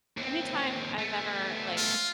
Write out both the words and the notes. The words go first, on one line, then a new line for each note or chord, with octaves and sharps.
anytime I've ever, like,
D#2 C4
A3 B3
F4